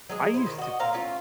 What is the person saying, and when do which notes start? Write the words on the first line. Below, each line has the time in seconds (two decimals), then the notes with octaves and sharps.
I used to
0.09 F#3 G#3 G#4
0.34 E4 C5
0.46 D#3
0.58 F#4 D#5
0.80 A#2 C4 F5 A#5
0.93 A3 C#4 F4